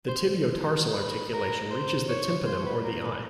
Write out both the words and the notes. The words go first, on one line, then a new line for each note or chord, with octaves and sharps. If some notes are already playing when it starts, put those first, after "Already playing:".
The tibio-tarsal articulation reaches the tympanum or the eye.
C5
B4
A#4
C5
C#5
C5
B4
A#4
B4